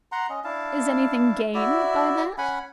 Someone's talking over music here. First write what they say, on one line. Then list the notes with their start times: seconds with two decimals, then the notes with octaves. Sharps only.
"Is anything gained by that?"
0.12 F#5 A#5 C6
0.29 C#4 D#5
0.44 D4 E4 F5 A5
1.54 E4 F#4 D5 E5
2.38 C#4 F#5 G#5 B5